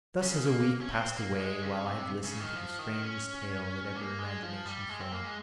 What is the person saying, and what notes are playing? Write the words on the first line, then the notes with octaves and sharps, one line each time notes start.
Thus has a week passed away, while I have listened to the strangest tale that ever imagination formed.
C#3
A#3
C#4
C4
A#3
G#3
C#3
C3
C#3
D#3
F3
D#3
C#4
A#3
G#3
F3
G3
G#3
C4
A#3
G#3